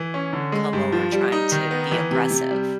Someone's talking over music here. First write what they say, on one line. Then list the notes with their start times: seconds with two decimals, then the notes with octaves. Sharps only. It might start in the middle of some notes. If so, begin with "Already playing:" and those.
come over trying to be aggressive.
Already playing: E3
0.14 C#4
0.33 D3
0.52 G#3
0.73 G2
0.92 F3
1.12 G3
1.32 D#4
1.52 D#3
1.71 B3
1.92 E3
2.11 C3
2.30 C3
2.51 G3